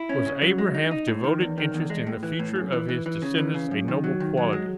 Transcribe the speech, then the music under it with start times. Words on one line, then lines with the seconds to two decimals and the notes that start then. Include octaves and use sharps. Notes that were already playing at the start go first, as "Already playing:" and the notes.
Was Abraham's devoted interest in the future of his descendants a noble quality?
Already playing: E4
0.09 C#4
0.26 C#3
0.42 F#3
0.58 G#3
0.75 D#4
0.91 D#4
1.08 A2
1.24 D#3
1.41 E2
1.58 D#3
1.74 E2
1.90 G#3
2.07 A2
2.23 E3
2.39 A2
2.56 F#2
2.73 E3
2.89 E3
3.06 E3
3.22 C#3
3.38 E3
3.54 C#3
3.71 F#2
3.88 D#3
4.04 F#3
4.20 D#3
4.37 F#3
4.53 G#3